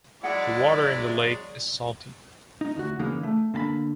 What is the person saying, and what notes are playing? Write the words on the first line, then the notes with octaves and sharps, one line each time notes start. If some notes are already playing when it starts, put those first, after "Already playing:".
The water in the lake is salty.
F#3 G#3 E4 D5 F#5
D#4
D2 F#4
C#3 E3 G#3 A#3 D#4
A3
D3 A#3 A5 B5